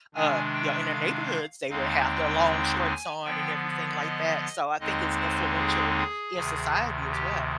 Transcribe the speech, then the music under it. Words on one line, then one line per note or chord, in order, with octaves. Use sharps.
uh, you know, in their neighborhoods, they would have their long shorts on and everything like that, so I think it's influential in society as well.
C3 D#3 G#3 D4 G#5
G5
F5
D#2 D3 G#3 C4 D#4 F5
G5
G5
G#5
D3 F3 B3 G5
D#5
D#2 D3 G#3 C4 D#4 D#5
C5
G#4
G#4
D2 C3 D#3
G4